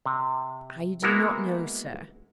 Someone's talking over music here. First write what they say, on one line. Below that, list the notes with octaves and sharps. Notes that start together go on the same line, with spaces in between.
"I do not know, sir!"
C3
G#3 A#3 B3 E4 F#4 A#4